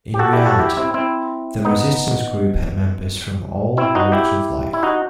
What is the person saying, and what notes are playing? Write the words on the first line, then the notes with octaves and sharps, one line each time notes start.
In reality, the resistance group had members from all walks of life.
G4
F#4 A4
E4 G4
F#4 A4
E4 G4
C4 E4
C4 E4
B3 D#4
C4 E4
D#4 F#4
E4 G4
E4
D#4 F#4